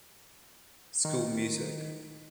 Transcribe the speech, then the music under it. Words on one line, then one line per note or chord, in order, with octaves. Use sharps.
School music.
D#3